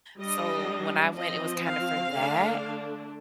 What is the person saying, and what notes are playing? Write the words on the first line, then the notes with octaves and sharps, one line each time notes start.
So when I went, it was kinda for that.
G3 D4 D#5
F3 C4 D#5
F5
D3 A3 D4